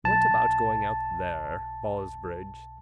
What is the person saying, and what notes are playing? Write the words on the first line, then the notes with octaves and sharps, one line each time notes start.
What about going out there: Ballsbridge.
B1 A5